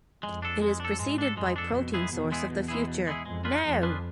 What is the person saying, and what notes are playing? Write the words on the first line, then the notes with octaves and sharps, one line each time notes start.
It is preceded by Protein Source of the Future...Now!
F2 G#3
D4 A4
G#3
D4 A4
G#2 G#3
D4 A4
F2 G#3
D4 A4
B2
G#3 B3 E4 G#4
E2 B2
G#3 B3 E4 G#4
B2
G#3 B3 E4 G#4
B2
G#3 B3 E4 G#4
F2 G#3
D4 F4 G#4 B4
F2 G#3
D4 F4 G#4 B4